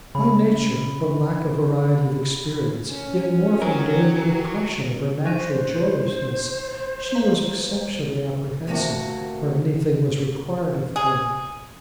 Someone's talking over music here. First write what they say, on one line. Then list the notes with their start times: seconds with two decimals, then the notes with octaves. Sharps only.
By nature, from lack of variety of experience, yet more from daily repression of her natural joyousness, she was exceptionally apprehensive where anything was required of her.
0.15 C#3 B5
2.89 C#4
3.62 F#3 G4 G#4 A#4
5.25 F#3 D#4 C5
7.15 B4 F5 A#5
8.67 D2 C3 A3 A#3 F#4
10.96 G#4